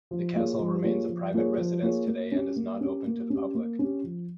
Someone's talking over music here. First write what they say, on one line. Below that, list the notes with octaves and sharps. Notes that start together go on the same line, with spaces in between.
The castle remains a private residence today and is not open to the public.
F3
A#3 F4 G#4 C#5
F3
A#3 F4 G#4 C#5
F3
A#3 F4 G#4 C#5
F3
A#3 F4 G#4 C#5
A#3
C#4 G4
A#3
C#4 G4
A#3
C#4 G4
A#3
C#4 G4
F3